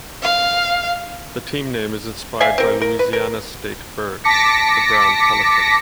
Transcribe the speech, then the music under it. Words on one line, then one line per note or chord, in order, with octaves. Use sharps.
The team name is inspired by Louisiana's state bird, the brown pelican.
F5
D5 E5 F5 G#5
C4 A#4
A#4
B4
A#4
A5 D6 A#6 B6 C#7